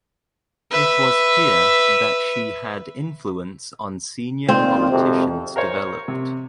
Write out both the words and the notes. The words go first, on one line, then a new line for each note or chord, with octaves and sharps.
It was here that she had influence on senior politicians developed.
B4 E5
A#2 D#3 C4 F4
G#1 F2 C3
A#4 C5 C#5
C3